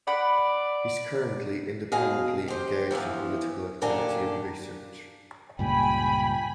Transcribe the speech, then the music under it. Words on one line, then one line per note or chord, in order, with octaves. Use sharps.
He is currently independently engaged in political activity and research.
D5 F#5 B5
B2 G#4 D#5 F5
G4 C5
E2 G2 E3 F3
D#2 A#2 D3 D4 G#5
C#2 G2 A#2 G5 G#5 B5